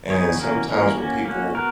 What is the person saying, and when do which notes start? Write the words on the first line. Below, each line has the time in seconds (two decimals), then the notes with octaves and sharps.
And sometimes with people,
0.10 B3 D#4 G#4 C#5
0.39 E3 A#3 C#4 F#4 A#4
0.68 E3 A#3 C#4 F#4 A#4
0.97 A#3 C#4 F#4
1.25 A#3 C#4 F#4
1.55 B3 F#4 A#4